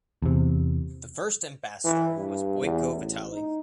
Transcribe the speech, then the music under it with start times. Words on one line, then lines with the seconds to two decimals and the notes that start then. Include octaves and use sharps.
The first ambassador was Boyko Vitaly.
0.22 E2 C3
1.84 E3
2.17 G2
2.62 E2
2.94 A1
3.32 D#4